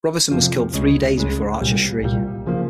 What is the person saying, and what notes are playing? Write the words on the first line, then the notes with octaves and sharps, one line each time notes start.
Robinson was killed three days before Archer-Shee.
F2 C3 F3
C#2 C#3 G#3
C#2 C#3 G#3
C2 A#2 G3
C2 A#2 G3
C#3 F3 A#3